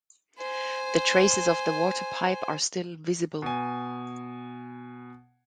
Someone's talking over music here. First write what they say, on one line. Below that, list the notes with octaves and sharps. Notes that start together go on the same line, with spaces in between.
The traces of the water pipe are still visible.
C5 G#5
B2 G#5